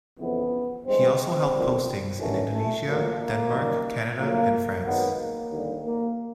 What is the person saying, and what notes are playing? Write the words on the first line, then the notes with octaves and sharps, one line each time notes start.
He also held postings in Indonesia, Denmark, Canada and France.
F2 C#3 E3 B3
G2 E3 G#3 C4
C4
B1 A#2 G3
A1 G2 D#3 F#3 A3 C#4
A3
A#1 A#2 F#3 A3 A#3
A#3
F#2 D#3 G3
A#1 A#2 F#3 A3 A#3
G#1 G#2 D#3 F#3 B3
A#3
D#2 D3 G3
A#3